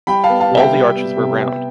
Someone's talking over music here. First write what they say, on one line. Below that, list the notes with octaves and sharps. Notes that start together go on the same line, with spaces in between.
All the arches were round.
G3 G5 B5
F5 A5
B3
F5 A5
C3
E5 G5
G3
B3
C3
B3